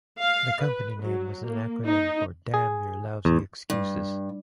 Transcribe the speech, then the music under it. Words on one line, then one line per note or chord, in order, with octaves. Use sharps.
The company name was an acronym for Damn Your Lousy Excuses.
F5
B4
F#3
A#3
D#4
G#4
E2
G2